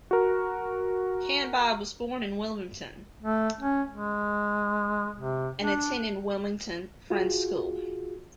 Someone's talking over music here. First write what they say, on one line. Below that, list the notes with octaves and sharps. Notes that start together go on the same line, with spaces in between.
Canby was born in Wilmington, and attended Wilmington Friends School.
F#4 A#4
A3
C#4
G#3
C3
D4
F4 F#4 G#4